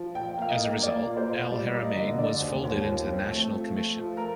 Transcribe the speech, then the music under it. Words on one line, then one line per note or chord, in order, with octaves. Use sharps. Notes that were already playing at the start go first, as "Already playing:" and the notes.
As a result, Al-Haramain was folded into the National Commission.
Already playing: F3
A#2 G5
A#3 F5
D#5
A#3
A#3 D5
A#2
C5
A#2
G3 D5
A#3 D5
D#5
D3
D#5
D3 D5
D#2
D#2
F3
C4
A3
F3
A3
F3
A#4